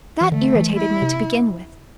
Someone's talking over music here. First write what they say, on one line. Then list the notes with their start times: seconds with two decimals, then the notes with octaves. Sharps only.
That irritated me, to begin with.
0.21 E3
0.32 D3 A3
0.55 E3
0.79 E4
1.02 C3